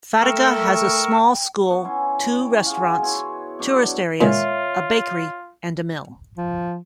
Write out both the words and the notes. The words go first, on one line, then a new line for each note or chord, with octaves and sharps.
Fataga has a small school, two restaurants, tourist areas, a bakery and a mill.
A3 A#4 G5 C#6 E6
B3 C#6
C#4 E4 C6
C#5 G5
F4 F#4 G#4
B2 E4 C#5 C6
B2 F#3 D4 C#6
A#2 D#3 G#3 F4 C#5 E5
F3